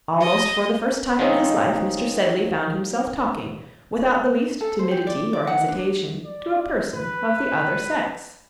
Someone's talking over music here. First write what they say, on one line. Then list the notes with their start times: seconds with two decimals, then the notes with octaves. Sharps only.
Almost for the first time in his life, Mr. Sedley found himself talking, without the least timidity or hesitation, to a person of the other sex.
0.20 D#5
1.19 D#3 F3 G#3 C4 C#4 D#4
4.61 A4
4.79 C5
4.91 G4
5.07 D5
5.33 D5
5.47 F#5
5.68 D4
6.25 D5
6.93 B4